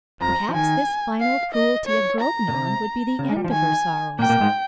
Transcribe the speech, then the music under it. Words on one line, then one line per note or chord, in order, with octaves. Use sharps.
Perhaps this final cruelty of Grognon would be the end of her sorrows.
F2 F3 A#5
F3
D#3 G#5
F5
D#5
C#5
A#5
A#2
C3
C#3
G#3
G3
F3
D#3 G#5
A#2 A#3 G5
A#2 A#3
G#2 G#3